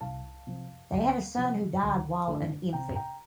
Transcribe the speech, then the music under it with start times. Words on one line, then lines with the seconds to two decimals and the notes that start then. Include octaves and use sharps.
They had a son who died while an infant.
0.01 C2 F5 A5
0.47 C3 F3
0.92 D2
1.37 C3 F3
1.83 D2
2.28 D3 A3 D4 F4
2.73 C3 G5 A#5
2.95 G5 A#5